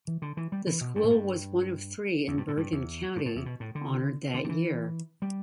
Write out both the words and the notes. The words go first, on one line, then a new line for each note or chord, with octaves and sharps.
The school was one of three in Bergen County honored that year.
E3
D3
E3
G3
E3
B2
G2
A2
G2
E2
G2
A2
G2
E2
G2
A2
E2
B2
A2
D3
D3
D3
E3
G3